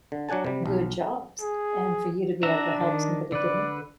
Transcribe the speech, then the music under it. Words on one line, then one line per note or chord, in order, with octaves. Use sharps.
good jobs, and for you to be able to help somebody get in,
D3
F#3 D4 F#5 G#5 A5
C3 G3
B1
G#4
D4 F#4 E5 A#5
D#3
D3 B4 D5